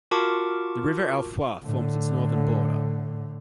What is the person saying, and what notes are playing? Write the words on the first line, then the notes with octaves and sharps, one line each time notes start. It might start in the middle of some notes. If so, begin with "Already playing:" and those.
The river Alfeios forms its northern border.
F4 F#4 A#4 A5 C#6 D6
A2 D3